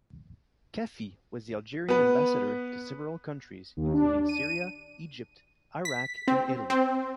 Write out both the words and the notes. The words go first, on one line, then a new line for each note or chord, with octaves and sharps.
Kafi was the Algerian ambassador to several countries, including Syria, Egypt, Iraq and Italy.
B3 B4
D#2
D4
D#7
B6
C4
C4